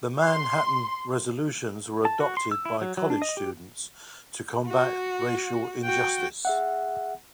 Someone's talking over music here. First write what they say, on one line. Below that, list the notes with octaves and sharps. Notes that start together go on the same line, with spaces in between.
The Manhattan Resolutions were adopted by college students to combat racial injustice.
C6
A5
F#4
C6
E6
E4
F#3
F#3
D4
D#5
G4
F#4
F#4 G5
G#4 E5 F#5